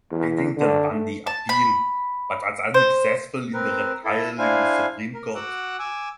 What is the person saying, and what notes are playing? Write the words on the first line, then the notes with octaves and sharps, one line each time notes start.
Piddington won the appeal but was unsuccessful in the retrial in the Supreme Court.
E2
D3
A3
A5
B5
C5
C4 A#4 B4
E4 A4
D4 E4 C5 F5 G#5
A#4
F#4 F#5 D6 E6 F#6
G#5 D6 E6